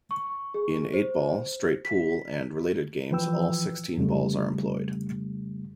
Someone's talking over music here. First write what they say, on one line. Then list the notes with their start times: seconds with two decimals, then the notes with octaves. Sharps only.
In eight-ball, straight pool, and related games, all sixteen balls are employed.
0.11 C#6
0.54 G#4
0.94 C5
1.85 B6
3.11 E3 F3 B4 G5 E6
3.97 F2 C#3 G3 A3